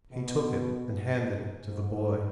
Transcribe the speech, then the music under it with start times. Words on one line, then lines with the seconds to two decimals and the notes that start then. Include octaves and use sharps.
He took it and handed it to the boy.
0.12 B2
1.14 G#2
1.65 G#2